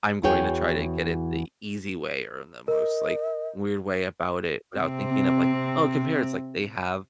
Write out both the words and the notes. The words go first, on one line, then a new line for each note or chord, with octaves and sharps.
I'm going to try to get it the easy way, or the most, like, weird way about it without thinking of, like, oh, compare" it's like, they have
E2 E3 F#4 G#4 C#5 G5
A#4 D#5
C3 C4